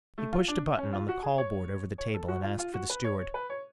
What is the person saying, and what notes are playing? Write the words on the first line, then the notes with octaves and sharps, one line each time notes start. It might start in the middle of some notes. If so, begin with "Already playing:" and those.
He pushed a button on the call board over the table and asked for the steward.
A3
F4
D4
C#4
F4
F#4
G#4
C#5
C#5
A4
F#4
F4
F4
F#4
B4
C#5
C#5
B4
C#5